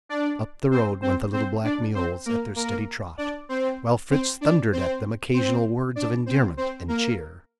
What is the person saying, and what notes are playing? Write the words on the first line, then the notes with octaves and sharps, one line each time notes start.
Up the road went the little black mules at their steady trot, while Fritz thundered at them occasional words of endearment and cheer.
D4 D5
C4 C5
C4 C5
C4 C5
D4 D5
C4 C5
A#3 A#4
A#3 A#4
D4 D5
C4 C5
C4 C5
D4 D5
C4 C5
C4 C5
D4 D5
C4 C5
C4 C5
A#3 A#4